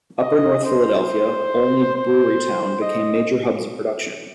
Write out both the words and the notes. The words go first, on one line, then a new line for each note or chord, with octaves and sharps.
Upper North Philadelphia, Olney, Brewerytown, became major hubs of production.
D#5
C5
C5
D#5